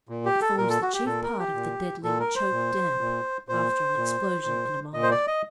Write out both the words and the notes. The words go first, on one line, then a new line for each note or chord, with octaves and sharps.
It forms the chief part of the deadly 'choke damp' after an explosion in a mine.
A#2
G4
A4
A#2 A#4
A4
F#4
G4
A#2 A4
A#4
G4
A#2
A#2 A4
A#4
C5
A#2
A#2
A#2 C5
A#2
A#2
A#2 D#5
C5
D5
D#5